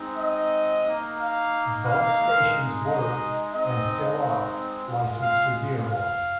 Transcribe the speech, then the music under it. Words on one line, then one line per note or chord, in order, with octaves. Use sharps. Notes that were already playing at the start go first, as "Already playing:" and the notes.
Both stations were, and still are, licensed to Dearborn.
Already playing: G#3 C4 D#4
D#5
A#3 D#4
F5
F5
G#3 D#4
D#5
G#3 C4 D#4 D#5
G#3 F4
F5
F5